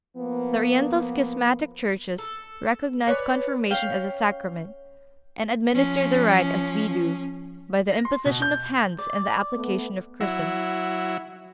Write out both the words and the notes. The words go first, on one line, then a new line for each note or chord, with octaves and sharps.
The Oriental schismatic churches recognize Confirmation as a Sacrament, and administer the rite as we do, by the imposition of hands and the application of chrism.
F3 A#3 B3
A4
B4 C#5 D5 G#5
C#4 F5 G5
F3 C#4
A#6
C6
B2
G6
D5
A3 B3
F#3 E4